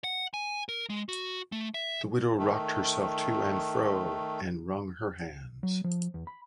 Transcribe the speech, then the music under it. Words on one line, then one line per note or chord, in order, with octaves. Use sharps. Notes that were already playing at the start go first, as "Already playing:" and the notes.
The widow rocked herself to and fro, and wrung her hands.
F#5
G#5
A#4
G#3
F#4
A3
E5
D#3 A3
F#3
F3
E2
B5